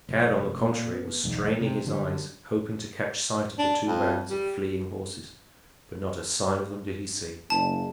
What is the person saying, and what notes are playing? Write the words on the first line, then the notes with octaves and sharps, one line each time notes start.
Tad, on the contrary, was straining his eyes, hoping to catch sight of the two bands of fleeing horses; but not a sign of them did he see.
F1
A#2
B3
B1 E2 G#2
C3
D3 F#3 G3
D4
F2
G3
F#1 A5